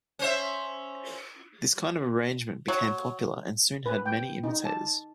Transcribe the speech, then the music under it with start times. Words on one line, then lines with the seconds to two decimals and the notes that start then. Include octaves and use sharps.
This kind of arrangement became popular and soon had many imitators.
0.19 C#4 C5 E5
2.68 F#3
3.86 B4
4.06 G5
4.44 D#4
4.65 A5